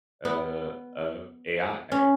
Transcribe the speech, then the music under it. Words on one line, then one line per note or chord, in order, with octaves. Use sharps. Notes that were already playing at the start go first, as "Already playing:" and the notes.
uh, of AI.
B3
C#4